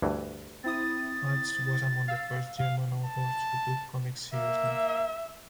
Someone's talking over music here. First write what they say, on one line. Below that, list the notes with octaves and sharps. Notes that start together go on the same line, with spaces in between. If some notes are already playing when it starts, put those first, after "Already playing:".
Fuchs was among the first German authors who took comics seriously.
D2 G2 E3
C4 E4 D#6 A6
F5 E6
F5
A5
A#3 E5